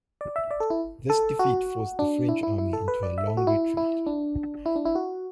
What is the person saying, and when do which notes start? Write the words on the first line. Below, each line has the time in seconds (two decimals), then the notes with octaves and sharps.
This defeat forced the French army into a long retreat.
0.21 D5
0.36 E5
0.51 D5
0.60 A4
0.70 E4
1.10 A4
1.39 F#4
1.99 D4
2.29 E4
2.43 E4
2.58 E4
2.73 A4
2.88 B4
3.03 D5
3.18 E5
3.27 A4
3.37 F#4
3.47 E4
3.77 E4
4.07 D4
4.66 E4
4.76 D4
4.85 E4
4.95 F#4